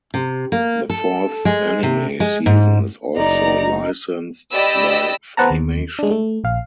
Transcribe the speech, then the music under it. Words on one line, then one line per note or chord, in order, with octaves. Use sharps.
The fourth anime season is also licensed by Funimation.
C3
A#3
A4
G#3
C3
G#3
G#2
F#1 D#4 D5 A#5
G4 D5 D#5 B5 E6
B4 C5 F#5 A5 A#5
D#2
G#3 D4
A3
A#1 F5